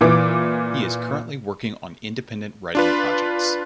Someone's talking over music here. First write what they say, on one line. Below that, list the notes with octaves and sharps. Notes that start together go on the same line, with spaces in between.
He is currently working on independent writing projects.
A#2 E3 D6
D4 F4 B4